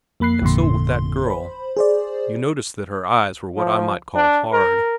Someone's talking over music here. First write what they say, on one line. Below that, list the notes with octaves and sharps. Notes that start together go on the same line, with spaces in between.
And so with that girl. You noticed that her eyes were what I might call hard.
F2 A#3 B5 F#6 C7
G#1 F2 A#2 D3 C6
C5 B5
G#4 C5 D5
F3
D4
A#4